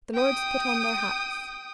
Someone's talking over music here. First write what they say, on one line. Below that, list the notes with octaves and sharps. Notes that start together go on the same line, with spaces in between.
The lords put on their hats.
G5 D#6